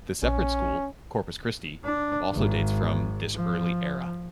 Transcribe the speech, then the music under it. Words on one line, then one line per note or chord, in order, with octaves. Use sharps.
The separate school, Corpus Christi, also dates from this early era.
A#1 C#4
D4
G#1
F3